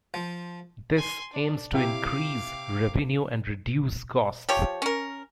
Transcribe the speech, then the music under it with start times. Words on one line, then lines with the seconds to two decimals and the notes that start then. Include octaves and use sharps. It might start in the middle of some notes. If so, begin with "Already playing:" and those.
This aims to increase revenue and reduce costs.
0.14 F3
0.97 G#5 C6
1.32 D4
1.73 C3 E4 G4 F5 D6
4.49 F3 G4 C#5
4.82 C#4 A#4